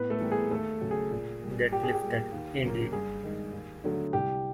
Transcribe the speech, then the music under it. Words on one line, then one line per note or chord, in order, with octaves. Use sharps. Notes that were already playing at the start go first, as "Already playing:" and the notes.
"Get Lifted" indeed.
Already playing: A2 B3 B4
A3 A4
E3 G3 A#3
G#4
D#2 A3 A4
C#3 F#3
G#4
A#2
G3 A#3
A#2 G4
G#4
G4
G3 A#3
D#2
C#3 F#3 A#3
G2 G#4
D#3 G#3
D#2
D3 F#3 A3
C2 G4